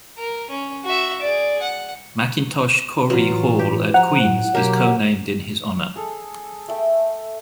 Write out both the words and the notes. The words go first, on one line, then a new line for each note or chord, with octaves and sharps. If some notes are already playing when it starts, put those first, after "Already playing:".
Mackintosh-Corry Hall at Queen's is co-named in his honour.
A#4
C#4
F#4 E5
G#4 D5
F#5
A2 E3 F#3 F4
G4
F3 F#5 A#5
A2
B2 F#3 A#3 G4
G#4 A4
A3 E5 G5